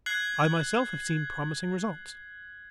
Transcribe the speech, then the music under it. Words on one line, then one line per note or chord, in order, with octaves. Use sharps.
I myself have seen promising results.
F#6 G#6 C7 F#7